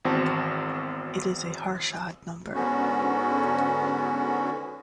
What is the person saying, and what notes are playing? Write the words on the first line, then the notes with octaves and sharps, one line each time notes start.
It is a Harshad number.
G#1 E2 C4 F#4 A5
G#2 D3 B3 C#4 F#4